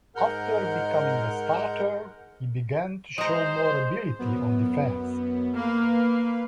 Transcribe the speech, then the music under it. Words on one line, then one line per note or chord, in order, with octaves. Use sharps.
After becoming a starter, he began to show more ability on defense.
G#2 G#3 A#4 F#5 F6 G6
G#3 C5 A#5
F#2 B3
A#3 B4 F5